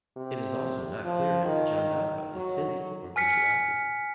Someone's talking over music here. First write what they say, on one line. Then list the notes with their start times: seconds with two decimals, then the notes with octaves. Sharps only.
It is also not clear if Jandavra is Sindhi or Gujarati.
0.16 C3
1.05 F3
1.45 D#3
2.35 F#3
3.16 G#5 F6 B6 C#7